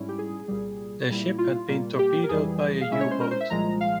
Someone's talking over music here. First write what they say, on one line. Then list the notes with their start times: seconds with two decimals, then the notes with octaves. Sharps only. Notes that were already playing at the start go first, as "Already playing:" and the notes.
Their ship had been torpedoed by a U-boat.
Already playing: G#2 G3 C#4 E4
0.09 G4
0.19 G#4
0.48 C2 A#2 G3
1.09 A#2 G3 A#3 E4
1.38 F4
1.69 A#2 G3 A#3
1.99 G4
2.24 A#4
2.29 F2 E3 G3 G#4
2.81 F5
2.90 A#2 G#3 C#4 E4 E5
3.00 C#5
3.11 C5
3.21 A#4
3.31 C5
3.40 E5
3.50 C2 A#2 F3 G#3 A#5
3.81 F5